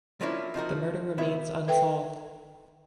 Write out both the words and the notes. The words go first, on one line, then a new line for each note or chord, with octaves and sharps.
The murder remains unsolved.
F3 F#3 A#3 C#4 D4 E4
F3 D#4 F#4 A#4
C#2 A#2 B3 E4 E5
A4 B4 E5 G5